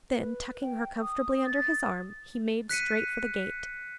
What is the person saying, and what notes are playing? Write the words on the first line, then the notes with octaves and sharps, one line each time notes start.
Then, tucking her comfortably under his arm, he made straight for the gate.
B4
G5
D#6
A6
F#6 B6 C#7 D#7